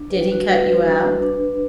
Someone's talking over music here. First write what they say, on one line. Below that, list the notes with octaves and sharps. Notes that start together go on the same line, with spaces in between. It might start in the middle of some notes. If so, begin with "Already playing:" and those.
'Did he cut you out?'
Already playing: D4
B4
G3
F#4
G3 B4
D4
D4